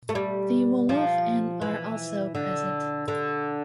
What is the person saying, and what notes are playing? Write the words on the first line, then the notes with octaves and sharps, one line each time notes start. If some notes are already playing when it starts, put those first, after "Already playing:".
The Wolof and are also present.
A3
G3
F3
E3
D3
D3